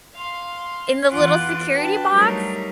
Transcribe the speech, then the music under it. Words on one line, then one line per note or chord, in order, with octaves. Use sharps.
In the little security box?
F5 C6
E2 E3 F4 F#5 C6 D6
D4 F#4 B4 G5 A5
F#3 G3 A3 D#4 A#4